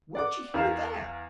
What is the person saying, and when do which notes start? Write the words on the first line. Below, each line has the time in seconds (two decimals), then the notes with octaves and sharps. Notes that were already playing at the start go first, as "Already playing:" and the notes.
"Where'd you hear that?"
0.15 D5 F#5 D6
0.54 E2 A#4 F5 E7